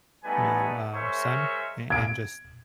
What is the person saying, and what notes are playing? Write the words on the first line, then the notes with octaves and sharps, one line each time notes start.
you know, uh, son a and just
G3 A3 B3 D#4 B4 G#5
G#3 A#4 C5 C#5 E5 C#6
G#6 D7